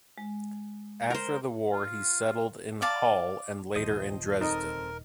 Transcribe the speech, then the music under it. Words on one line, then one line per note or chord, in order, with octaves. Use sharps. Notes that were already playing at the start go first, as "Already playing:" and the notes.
After the war he settled in Halle and later in Dresden.
G#3
A#4 C5
F4
D5 F5 A5
D#1 F3 C5 D#5
C4 D#4 A4 A#4 D#5